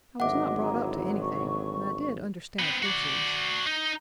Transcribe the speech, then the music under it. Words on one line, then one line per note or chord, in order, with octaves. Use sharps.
I was not brought up to anything, and I did understand horses.
G#1 D3 D#3 F#3 D#5 E5 F#5 D6
E4 A#5
C#6
B3 C4
F#4 D5
D#4